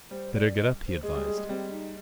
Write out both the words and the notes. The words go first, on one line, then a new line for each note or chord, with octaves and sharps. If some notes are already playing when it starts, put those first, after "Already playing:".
"Better get up," he advised.
G3 C5
D5
D#5
C5
G#3 G#4
G3
G#3
G#3
G3 C4
D#4